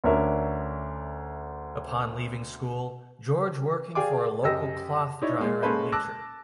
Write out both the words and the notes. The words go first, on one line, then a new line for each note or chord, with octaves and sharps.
Upon leaving school, George working for a local cloth dyer and bleacher.
D2 C#4 D4 A#4 E5
G#4 D5 F5 G5 G#5 D6
F#2 G4 D#5 E6 A#6
D#4 E4 C#5 D5
G#3 A#3
G#3 A#3 C#4 A4 B4 C5
A5 D6 E6 F#6 A#6